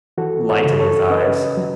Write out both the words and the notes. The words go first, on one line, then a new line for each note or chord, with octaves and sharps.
Light in his eyes.
E3 F#4 A4
A4 C#5
C#3
A4 C#5
C#4 B4 D#5
F#3